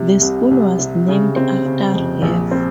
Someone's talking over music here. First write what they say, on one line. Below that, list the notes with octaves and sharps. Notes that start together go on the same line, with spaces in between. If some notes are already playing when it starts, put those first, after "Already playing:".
The school was named after Rev.
Already playing: C3
C2
C2
C3
C#3
C4
C#3
F2
A#1
C4